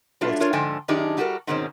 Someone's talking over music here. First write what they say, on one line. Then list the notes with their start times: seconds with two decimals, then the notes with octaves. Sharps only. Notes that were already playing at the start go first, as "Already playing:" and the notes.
Well, s
0.21 F#3 G3 A3 D4 F4
0.40 D4 F4 A#4 C#5
0.53 G#2 D3 F3 A4 G5 G#5
0.88 F#2 D#3 D4 D#4 G4 G#4
1.17 G3 D#4 F#4 G4 A4 A#4
1.47 G#2 B2 D#3 G#3 C4 C#4